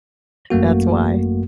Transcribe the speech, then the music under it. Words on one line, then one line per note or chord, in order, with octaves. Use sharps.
That's why.
G#1 F#2 A3 A#3 F#4